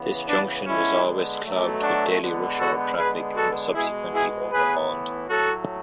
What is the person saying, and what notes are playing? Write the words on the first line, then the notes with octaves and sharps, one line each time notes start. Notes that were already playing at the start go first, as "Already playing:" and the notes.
This junction was always clogged with daily rush hour traffic and was subsequently overhauled.
Already playing: C#3 E3 B3
D4
D3 G#3 B3 C#4 E4
B2 F#3 A3
D4 F#4
D3 G#3 B3
F#4 A4
D3 G#3 B3 G#4 B4
F#4 A4
B2 G#3 B3 E4 G#4
E4 G#4
A2 E3 B3 G#4 B4
A2 F#3 A3 F#4 A4